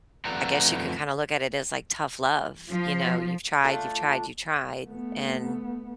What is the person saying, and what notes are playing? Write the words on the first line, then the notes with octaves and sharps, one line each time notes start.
I guess you can kinda look at it as, like, tough love, you know, you've tried, you've tried, you've tried, and
F2 A3 B4 D5 F#5 A#5
F3
A3 D4 F4 A4
A3 B3